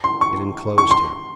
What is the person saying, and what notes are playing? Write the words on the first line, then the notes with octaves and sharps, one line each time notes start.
It inclosed him.
C6
C#6
C#6
C6